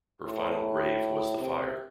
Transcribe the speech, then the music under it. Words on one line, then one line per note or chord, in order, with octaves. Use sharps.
Her final grave was the fire.
A2
C3